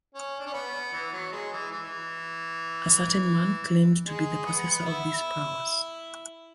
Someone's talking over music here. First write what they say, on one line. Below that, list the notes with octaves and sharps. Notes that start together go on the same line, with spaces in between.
A certain man claimed to be the possessor of these powers.
C#4
D4
C#4
B3
E3
F#3
G#3
E3
E3
G#3
B3
E4